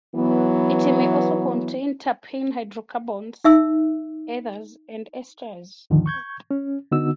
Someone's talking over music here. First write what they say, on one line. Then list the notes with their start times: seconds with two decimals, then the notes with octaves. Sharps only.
It may also contain terpene hydrocarbons, ethers, and esters.
0.15 E3 F#3 B3
3.44 D#4 E5 E6
5.90 D#2 G#2 D3 D#3 F3
6.06 C#6 G6 G#6
6.51 C#4
6.91 D3 B3 D#4 F#4 E6